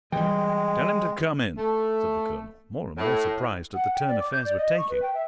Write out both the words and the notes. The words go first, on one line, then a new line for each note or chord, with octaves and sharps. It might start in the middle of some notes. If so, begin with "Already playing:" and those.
"Tell him to come in," said the colonel, more and more surprised at the turn affairs were taking.
E3 G3 G#3 G5
A3
A2
F#5
G5
D5
D6
G6
D5
D#5
C#6
B4
G5
E5